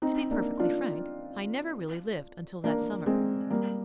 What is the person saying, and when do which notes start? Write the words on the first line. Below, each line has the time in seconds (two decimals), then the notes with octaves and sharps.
To be perfectly frank, I never really lived until that summer.
0.02 C4 D#4
0.31 A#3 D4
0.60 D4 F4
2.64 A#3 D4
3.06 G#3 C4
3.50 G3 A#3